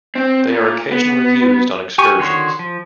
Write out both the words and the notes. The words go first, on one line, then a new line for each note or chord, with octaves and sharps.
They are occasionally used on excursions.
C4
A#2
B3
G4 G#5 C#6
D3 D#3 F#4 C#5 C6
F3